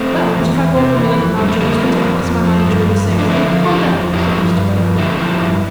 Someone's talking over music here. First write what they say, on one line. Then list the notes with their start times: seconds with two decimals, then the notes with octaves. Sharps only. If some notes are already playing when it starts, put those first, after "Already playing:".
"Well, but if I bought the mill, and allowed your husband to act as my manager in the same way, how then?" said Mr. Wakem.
Already playing: A3 C4
0.12 F3
0.34 E2
0.54 E2
0.75 C3
0.96 E3
1.18 F2
1.38 F2 G3
1.48 A3
1.60 D3 G3 A#3
1.81 F3
2.02 F2
2.24 F2
2.44 F3
2.66 G2
2.86 G2
3.08 F3
3.19 D4
3.29 D3 C4 E4
3.50 F3
3.64 A4
3.71 F2 E4 G4
3.92 F2
4.13 F3 E4 G4
4.34 G2
4.56 G2
4.77 F3
4.97 D3 E4 G4
5.19 F3
5.41 G2